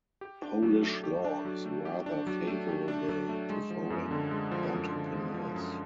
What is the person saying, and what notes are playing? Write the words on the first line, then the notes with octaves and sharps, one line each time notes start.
Polish law is rather favourable to foreign entrepreneurs.
G4
D4
F#3
A3
G4
D4
F#3
A3
G4
D4
F#3
A3
G4
D4
F#3
A3
G#3
F3
F#2
D3
G#3
F3
F#2
D3
G#3
F3
F#2